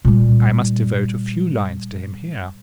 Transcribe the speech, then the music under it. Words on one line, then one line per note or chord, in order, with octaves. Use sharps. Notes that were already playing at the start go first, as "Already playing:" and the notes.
I must devote a few lines to him here.
A#2 G3